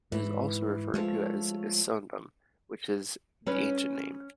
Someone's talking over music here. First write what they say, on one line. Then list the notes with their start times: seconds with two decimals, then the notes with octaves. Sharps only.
It is also referred to as Issoundun, which is the ancient name.
0.12 G#2 E3
0.94 F3 G#3 A3 C#5
3.47 C#4 B4